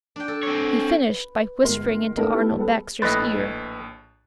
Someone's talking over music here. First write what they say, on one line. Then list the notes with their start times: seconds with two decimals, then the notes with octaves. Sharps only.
He finished by whispering into Arnold Baxter's ear.
0.16 D4 G5
0.28 A4
0.43 C4 C#5
1.08 B4
1.64 G1 G#3 A#4 C6
2.17 A3 B3 C#4 D#4 A4 A#4
2.32 A3 B3 E4 G4 A4
2.57 G3 B3 G#4 A4 B4
3.02 A#1 A2 B4 D#5 A6